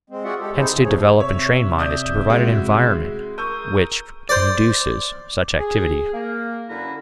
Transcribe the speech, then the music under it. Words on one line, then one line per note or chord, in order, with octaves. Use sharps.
Hence to develop and train mind is to provide an environment which induces such activity.
G#3 C4
F4 F#4 G#4 D5 E5 F#5
G#3 G4 A4
C4 D#4 E4 G#4 A4 C5
C#3
D#2 G#2 C3 F3 G#4 C#5
C3 C#5 E5
D5 D#6 G6
G#3 E4 F#4
A#4 C#6 D#6 E6 G6
C5 D5
G#4
A#3
F#2 D3 C#4 E4 B4 A#5